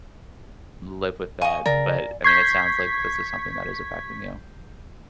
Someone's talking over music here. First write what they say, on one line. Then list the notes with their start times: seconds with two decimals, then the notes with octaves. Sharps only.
live with that, but, I mean, it sounds like this is something that is affecting you.
1.42 D#5 F5 G#5 C#6
1.66 C#3 A#4 D5
2.24 C#6 G6 G#6 B6 C7